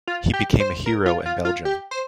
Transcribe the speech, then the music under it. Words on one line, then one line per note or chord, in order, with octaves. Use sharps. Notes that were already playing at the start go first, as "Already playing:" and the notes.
He became a hero in Belgium.
F4
G4
C5
A#4
F4
F4
F4
G4
C5